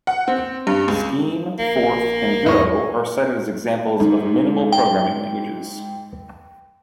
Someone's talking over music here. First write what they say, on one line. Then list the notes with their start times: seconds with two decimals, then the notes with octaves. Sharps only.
Scheme, Forth, and Go are cited as examples of minimal programming languages.
0.07 F#5
0.28 C4
0.67 G2
0.88 C#2
1.59 A#1 A#3
2.46 E2 G#2 E4 C#5 D#5
4.00 G#2
4.72 G5